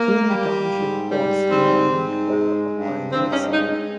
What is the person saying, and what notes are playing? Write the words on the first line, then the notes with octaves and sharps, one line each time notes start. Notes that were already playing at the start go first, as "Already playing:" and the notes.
Keene Township was named for a pioneer settler.
Already playing: A#3
G3
G#2
G3
G#2 C4
G#2
G#3
G2
G2 C4
D#4
C#4
G#3 D#4